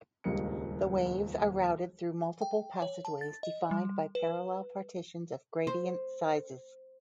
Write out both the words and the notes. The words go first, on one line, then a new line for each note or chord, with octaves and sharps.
The waves are routed through multiple passageways defined by parallel partitions of gradient sizes.
D#1 C#2 G2 A#3 D#5 C#7
G5
C#5
A5
A6
D#5
G3
B4
C5